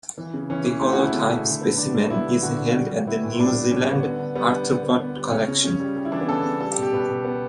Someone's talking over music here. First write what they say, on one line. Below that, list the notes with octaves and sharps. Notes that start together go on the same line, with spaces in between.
The holotype specimen is held at the New Zealand Arthropod Collection.
E3
C#3
E3 C#4
E3
A3 E4
F#4
C#3
E4
C#3
A3
D3
B3
D3 D4
G3
B3 E4
D3
D3 F#4
D3
G3
G3
B3 E4
A2
G3 D4
B3
G3 C#4
C#4
G3 B3
D3 B3
D3
G3 B3
D3
D3
B3
B3
G3
C#3 C#4
C#3
C#3 C#4
G3
G3
E4
E3 D4
B3
C#3 A4
C#3
G3 A4
G4
B2
G4
B2 B4
B2
B3